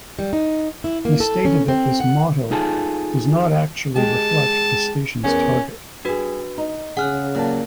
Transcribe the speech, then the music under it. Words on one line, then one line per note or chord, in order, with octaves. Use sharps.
He stated that this motto does not actually reflect the station's target.
G3
D#4
E4
A#3
A4
C#4
C4
F#5
D#4 F4 G#4 A4
G#3 G4 A5
E2 C#4 A#4
G3 D4 F#4 G#4 B4
D#4
C#3 G#4 F#5 F6 F#6
A#2 F#3 G4 A5